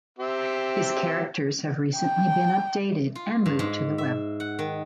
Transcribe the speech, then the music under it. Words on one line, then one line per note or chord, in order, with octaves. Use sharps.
His characters have recently been updated and moved to the Web.
C4 G4 E5
G5
F4
G2
G#2
E5
F#5
D#3